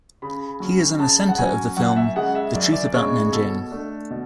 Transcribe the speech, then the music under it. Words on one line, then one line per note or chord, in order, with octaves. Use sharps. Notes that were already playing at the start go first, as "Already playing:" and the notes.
He is an assenter of the film "The Truth about Nanjing".
C#3 B5
F#3 C#4
C#3 A5
F#5
F#3 C#4 G#5
F#2 F#5
E5
C#3 G#3 F#5
E5
F#2 D5
E5
D5
C#3 G#3 C#5
B2 A4
A3 D4
B2